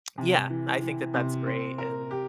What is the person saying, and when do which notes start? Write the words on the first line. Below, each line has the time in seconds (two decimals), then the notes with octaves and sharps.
Yeah, I think that that's great and,
0.18 C3
0.50 E3
0.82 E3
1.14 C3
1.46 C4
1.78 A#4
2.11 G4